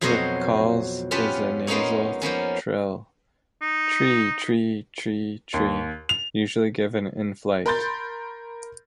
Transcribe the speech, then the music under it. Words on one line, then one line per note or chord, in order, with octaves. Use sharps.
The calls is a nasal trill "tree-tree-tree-tree", usually given in flight.
F2 B2 F#3 C5 C#5 D#5
B3 C#4 F4 G4 B4 A5
G#3 A#3 B3 C#4 D#4 C#5
F3 A#3 B3 C#4
D#4
D#2
F7
A#4 B5 C6 G6 A6